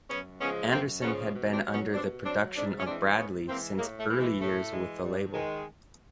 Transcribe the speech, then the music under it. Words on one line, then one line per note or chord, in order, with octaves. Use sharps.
Anderson had been under the production of Bradley since early years with the label.
F#2 B3 C#4
C#3 F3 G#3 B3 C#4
F#2 A#3 C4
C#3 F3 G#3 B3 C#4
B2
C4 D4
F#3
B3 C#4
B2 C4 D4
F#3 C4 D4
G#2 C4 D4
C#4
E3 G#3 C4 D4
G#2 B3 C#4
E3 G#3 A#3 C4
A2 G#3 A#3
A3
E3 G#3
G#3
A2 A3
E3 G#3
G2
D#3 G#3